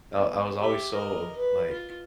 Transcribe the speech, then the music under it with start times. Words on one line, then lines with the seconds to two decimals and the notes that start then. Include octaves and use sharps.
I I was always so ob like
0.15 B3
0.57 G4 E5
0.92 A#4 D#5
1.36 B4
1.72 F4